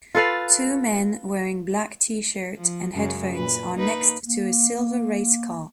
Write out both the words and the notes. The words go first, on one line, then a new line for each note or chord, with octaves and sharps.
Two men wearing black tshirt and headphones are next to a silver race car.
F4 A4 B4 F5
F3
F#2 C#3 G#3
A#2 B4
A#3 D#4 B4
A#3